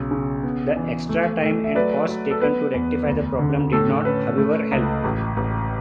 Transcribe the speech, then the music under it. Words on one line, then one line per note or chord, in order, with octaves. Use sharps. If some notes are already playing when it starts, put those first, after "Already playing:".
The extra time and costs taken to rectify the problem did not, however, help.
Already playing: B1 C#3
C#3
B3
E3
A3
A3
E5
F#3 B4 D5
F#3
A4
B3 B4
E2
D2
D3
A2 A4
C#4 B4
A3
C#2
A1
A1